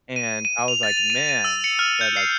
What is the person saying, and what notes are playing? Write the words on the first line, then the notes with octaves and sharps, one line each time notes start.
And I was like, "Man," that, like,
D#7
D#7
F7
A6
F7
D#7
D#7
E6
C#7
F6
G6
C7